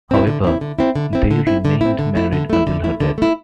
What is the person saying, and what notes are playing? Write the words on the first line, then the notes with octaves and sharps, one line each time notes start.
However, they remained married until her death.
C4 E4
D3
C4 E4
D3
C4 E4
D3
C4 E4
D3
C4 E4
D3
C4 E4
D3
A3 E4
D3
A3 E4
D3
A3 E4
D3
A3 E4